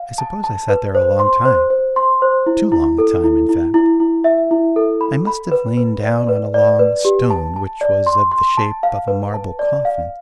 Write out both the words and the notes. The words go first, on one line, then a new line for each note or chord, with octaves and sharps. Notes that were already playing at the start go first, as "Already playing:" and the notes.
I suppose I sat there a long time--too long a time, in fact; I must have lain down on a long stone which was of the shape of a marble coffin.
Already playing: F5
A5
A5
B4
C5
C6
C5
C5
C6
C5
E4
E4
A4
E4
E4
E4
E4
E5
E4
A4
B5
B5
B4
B4
D5
B4
D5
B4
G4
A5
A5
D5
C6
C6
A5
F5
B4
A5
D5
F5